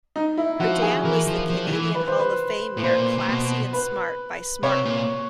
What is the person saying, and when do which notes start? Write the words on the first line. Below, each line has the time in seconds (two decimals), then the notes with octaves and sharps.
Her dam was the Canadian Hall of Fame mare Classy 'n Smart by Smarten.
0.16 D#4
0.37 E4
0.60 F3 F#4
0.82 G#4
1.04 E3 A#4
1.27 F3
1.50 F3
1.67 D#3
1.72 E3
1.94 B4
2.07 C5
2.20 B4
2.77 A2
2.83 A#2 C5
3.18 A#2
3.28 B2
3.73 B4
4.63 C3 C#5
4.85 A#2